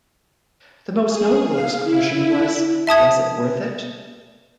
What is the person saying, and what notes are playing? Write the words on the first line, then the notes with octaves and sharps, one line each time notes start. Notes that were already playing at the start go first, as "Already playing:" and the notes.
The most notable exclusion was Was It Worth It?
G#4
F5
E4
E5 A5 D#6 G#6